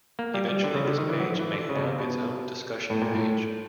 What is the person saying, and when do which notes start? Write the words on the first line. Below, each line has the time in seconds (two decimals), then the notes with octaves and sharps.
Eventually this page may have its own discussion page.
0.19 A#3
0.34 G3
0.48 G3
0.64 D3
0.75 C#3
0.86 D3
0.98 D#3
1.09 E3
1.20 F#3
1.24 F3
1.39 E3
1.54 D3
1.69 C#3
1.76 B2
1.84 C3
1.99 B2
2.90 A2
3.02 A#2
3.15 A2